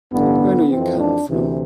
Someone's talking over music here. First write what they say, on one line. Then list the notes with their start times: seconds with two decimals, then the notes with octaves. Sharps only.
Where do you come from?
0.12 A1 G2 D3 B3
0.70 F2 E3 C4
1.00 D4
1.29 D2 C3 E3